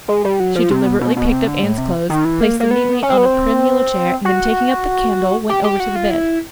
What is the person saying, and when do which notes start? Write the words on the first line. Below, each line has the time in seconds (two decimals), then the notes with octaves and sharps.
She deliberately picked up Anne's clothes, placed them neatly on a prim yellow chair, and then, taking up the candle, went over to the bed.
0.08 G#3
0.24 G3
0.40 F#3
0.55 F3
0.71 C3
0.86 B2
1.01 B2
1.16 B2
1.32 C3
1.48 D3
1.63 A2
1.78 C3
2.10 D#3
2.25 E3
2.41 A#3
2.60 A#3
2.71 B3
3.02 C#4
3.10 C4
3.17 B3
3.25 C4
4.25 F#4
5.49 G4
5.64 G4
5.80 F#4
5.96 F4
6.11 E4